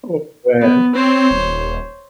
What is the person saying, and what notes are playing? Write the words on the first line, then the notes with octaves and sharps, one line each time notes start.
Oh, man.
B3
C4 C5 C#5
D#1